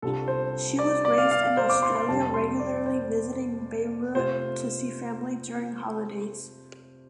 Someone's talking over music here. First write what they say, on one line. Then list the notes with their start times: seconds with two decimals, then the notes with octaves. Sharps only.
She was raised in Australia regularly visiting Beirut to see family during holidays.
0.02 C2 C3 G3 D4 F4 A4
0.28 C5
0.79 D5
1.05 D5
1.18 F5
1.31 F5
1.43 F5
1.57 C5
1.69 D6
1.82 C6
1.95 C6
2.08 F2 C3 G3 D4 A5
2.34 C6
2.60 D5
2.86 C5
4.15 C3 A3 F4 C5